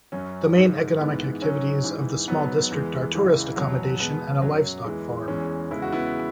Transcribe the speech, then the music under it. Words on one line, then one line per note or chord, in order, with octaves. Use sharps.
The main economic activities of the small district are tourist accommodation and a livestock farm.
F#2 F#3 C#4
G#2 G#3
G#2 E3 G#3 B3
G#2 F#3 C#4
G#2 E3 G#3
G#2 F#3 B3
E2 E3 G#3
C#2 C#3 E3 G#3
E2 B2 F#3
E2 B2 G#3 B3
F#2 F#3
E2 E3 G#3
E2 E3 G#3 C#4
E2 C#3 G#3 E4
F#4
B3 E4